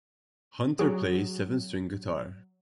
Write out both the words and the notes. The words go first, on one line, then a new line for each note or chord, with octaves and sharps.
Hunter plays seven-string guitar.
F#3 G#4